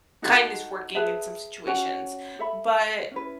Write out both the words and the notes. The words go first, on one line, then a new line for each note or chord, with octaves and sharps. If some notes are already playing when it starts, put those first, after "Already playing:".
kindness working in some situations, but
D#4 F#4 A4
G#4 B4 E5 A5
C#4 F#4 C#5 G#5
A4 E5 B5
C#4 E4 B4